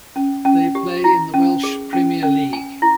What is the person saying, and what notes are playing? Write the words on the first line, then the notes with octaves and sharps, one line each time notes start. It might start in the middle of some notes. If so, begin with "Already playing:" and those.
They play in the Welsh Premier League.
C#4
C#4
G4
E4
C#4
G#4
C#4
C#4
G#5
E4